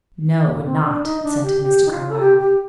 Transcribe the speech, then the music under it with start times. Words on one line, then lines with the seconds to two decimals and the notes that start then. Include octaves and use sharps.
"No, it would not," assented Mr. Carlyle.
0.45 A#3
0.65 C4
0.85 D4
1.04 D#4
1.23 D4
1.43 G4
1.62 G4
1.86 D#4
1.91 F4
2.10 A4
2.20 G4
2.39 G4